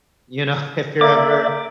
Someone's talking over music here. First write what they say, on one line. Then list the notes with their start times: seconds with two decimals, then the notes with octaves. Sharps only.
you know, if you're ever
1.01 A#3 D5 E5 D6